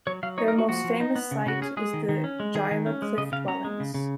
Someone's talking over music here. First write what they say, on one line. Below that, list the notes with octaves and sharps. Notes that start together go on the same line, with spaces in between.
Their most famous site is the Gila Cliff Dwellings.
F#3 C#5
F#3 F5
D#4 C#5
A#4
A#3
F#4
F3 F#4
F3
D#4
B3
C#3
C#3 F#4
C#4 G#4
G#3 G#4
D#3
D#3
C#4
G#3
D#3 G#4
D#3
C#4
G#3
C#3 D#5
C#3 F5
C#4 A#5
G#3
C#3
C#3